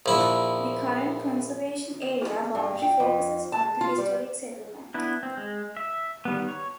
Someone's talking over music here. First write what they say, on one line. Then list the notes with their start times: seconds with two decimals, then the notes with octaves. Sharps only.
The current conservation area boundary focuses on the historic settlement.
0.06 A#1 E4
2.55 G2
2.82 G5
3.00 F2
3.52 A5
3.81 F4
3.98 G3
4.94 B3 D4 E4
5.23 C4
5.37 G#3
5.77 E5
6.25 D#3 G3 B3
6.48 C#5